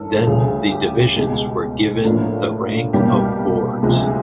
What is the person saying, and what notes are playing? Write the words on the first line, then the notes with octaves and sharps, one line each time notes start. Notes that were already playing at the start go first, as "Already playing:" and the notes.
Then the divisions were given the rank of boards.
Already playing: G2 E3 G#3 C#4 A4 A#4
D2 C#3 F3 G#4
G4
C#2 B2 G#3
A2 F3 A#3 D4
C2 B2 G3 A#3 G4
D2 C3 F3 G#3